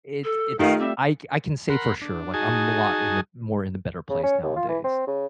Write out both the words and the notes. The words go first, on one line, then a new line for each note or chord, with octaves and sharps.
it's it's I c I can say for sure, like, I'm a lot in a more in a better place nowadays.
A4
D#3 A3 D#4 F4 G4 F5
G3 C4 D5 E5
A#4 F#5 B5 C6
D4
D#4 F#4 G#4 G#5 A5
C#3
C#4
D#2
F4
E3
C4
C#3